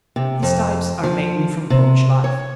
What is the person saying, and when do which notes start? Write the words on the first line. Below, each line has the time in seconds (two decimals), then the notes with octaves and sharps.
His types are mainly from Polish life.
0.16 C3
0.43 F2
1.03 F3
1.70 C3
2.24 C#5